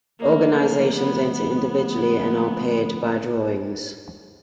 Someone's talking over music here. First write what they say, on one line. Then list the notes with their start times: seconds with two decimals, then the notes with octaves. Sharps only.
Organizations enter individually and are paired by drawings.
0.19 D3 F3 A3 A#3 C#4
0.96 B3
1.34 B3